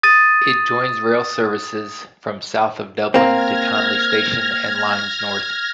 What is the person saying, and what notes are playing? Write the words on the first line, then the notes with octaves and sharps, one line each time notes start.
It joins rail services from south of Dublin to Connolly Station and lines north.
D#6 A6 D#7
A#3 C4 F6 G#6 A#6